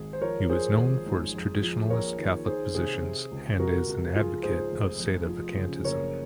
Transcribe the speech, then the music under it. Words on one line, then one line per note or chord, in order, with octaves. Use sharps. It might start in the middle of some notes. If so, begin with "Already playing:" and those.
He was known for his traditionalist Catholic positions and is an advocate of sedevacantism.
Already playing: G#1 G#4
C5
F3 A#4 C#5
F3 G#4 C5
G#1
G#2
F2
F3
A#1 A#4 C#5
D#3
D#3 G#4 C5
C3 G#4 C5
C3
C#2
C3 F#4 A#4
C#2
F3 F4 G#4
G#2 G#4 C5
F1
F2
F3
C#3
F#1 A#4 C#5